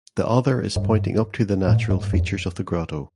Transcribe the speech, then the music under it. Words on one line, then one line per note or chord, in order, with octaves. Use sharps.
The other is pointing up to the natural features of the grotto.
G2
A2
G2
F2